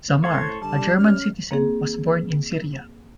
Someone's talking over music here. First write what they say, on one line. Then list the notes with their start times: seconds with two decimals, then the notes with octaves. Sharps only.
Zammar, a German citizen, was born in Syria.
0.24 A2 A4 C5 C#5 G#6
0.62 D3 G3 A5
0.97 C#4 F6
1.51 A#3 C4 G#4